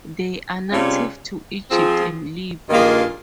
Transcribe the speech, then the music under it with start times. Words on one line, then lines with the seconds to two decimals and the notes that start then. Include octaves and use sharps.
They are native to Egypt and Libya.
0.69 C3 G3 C#4 F4 G#4
1.70 F3 C4 F4 G#4
2.69 G2 D#3 A#3 F4 G#4